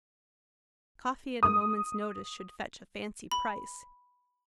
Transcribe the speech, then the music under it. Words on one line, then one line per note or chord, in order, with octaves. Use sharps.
Coffee at a moment's notice should fetch a fancy price.
D#6
B5